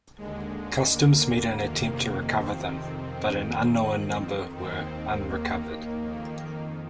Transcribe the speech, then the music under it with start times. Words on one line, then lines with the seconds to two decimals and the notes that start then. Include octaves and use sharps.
Customs made an attempt to recover them, but an unknown number were unrecovered.
0.18 D#2 D3 G#3
0.91 A#3
1.63 F2 C3 D#3
2.36 C4
3.09 F2 D#3
4.55 D#2 D#3 C4
5.28 A#3
6.00 F2 D#3